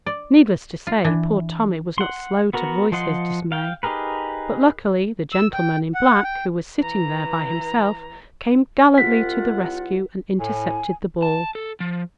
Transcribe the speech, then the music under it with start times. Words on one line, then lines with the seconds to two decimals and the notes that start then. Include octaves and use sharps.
Needless to say poor Tommy was not slow to voice his dismay but luckily the gentleman in black who was sitting there by himself came gallantly to the rescue and intercepted the ball.
0.06 D5
0.87 F4
1.05 E3 D4
1.98 F#5 C6
2.53 B3 F#4 A#4
2.92 F3 F4 D#5 F#5 C6
3.52 F5 G5
3.83 D#4 G4 G#4 A#4 B4
5.33 E6
5.53 G5
5.94 F#5
6.24 G5
6.78 E3 A#5
8.98 C2 F4 F#5 B6
10.40 A2 G#5
11.22 A5
11.55 A4
11.80 F3